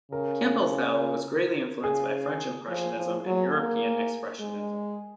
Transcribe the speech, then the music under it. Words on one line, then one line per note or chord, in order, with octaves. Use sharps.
Campbell’s style was greatly influenced by French Impressionism and European Expressionism.
C#3 A#4
C#3 G#4
F3
F3
F#3
A#3
G#3